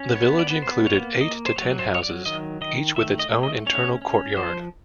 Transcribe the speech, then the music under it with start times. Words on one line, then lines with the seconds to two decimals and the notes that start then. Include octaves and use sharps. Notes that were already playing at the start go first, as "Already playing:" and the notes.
The village included eight to ten houses, each with its own internal courtyard.
Already playing: C#4
0.15 B3 C#5
0.39 D5
0.50 B3
0.62 C5
0.86 A#3 C#5
1.21 A#3 D#5
1.46 C5
1.56 F#3 C#5
1.79 C5
1.91 F#3 C#5
2.03 D5
2.26 D#3 D#5
2.61 D#3 D#5
2.96 A3 E5
3.19 D#5
3.31 A3
3.43 D#5
3.66 C#4 C#5
4.02 C#4
4.37 F3 C5